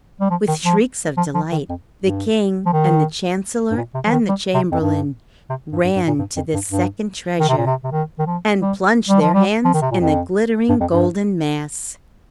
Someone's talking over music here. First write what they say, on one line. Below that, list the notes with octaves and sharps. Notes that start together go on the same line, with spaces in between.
With shrieks of delight, the King and the Chancellor and the Chamberlain ran to this second treasure, and plunged their hands in the glittering golden mass.
G3
F3
D#3
F3
F3
F3
D#3
F2
G2
F3
D#3
G2
A#2
C3
F3
D#3
G3
C3
F2
G2
C3
G2
G2
G2
A#2
G2
F2
G2
G2
D#3
C3
A#2
C3
C3
D#3
D#3
F3
G3
G3
F3
G3
F3
D#3
C3
A#2
F2
G2
F2
G2